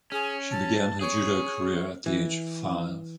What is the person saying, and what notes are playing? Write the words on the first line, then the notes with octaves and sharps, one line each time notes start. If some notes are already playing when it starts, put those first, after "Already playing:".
She began her judo career at the age of five.
C#4 G#4
A5
G#4 C#5
E3